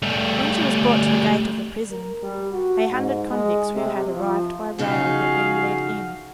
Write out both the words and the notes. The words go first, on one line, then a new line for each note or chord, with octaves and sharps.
When she was brought to the gate of the prison, a hundred convicts who had arrived by rail were being led in.
G3 A3
A#4
G3
F#4
G#2
G#3
C3
F3
F2 C#3 D#4 F#4 G#4 F5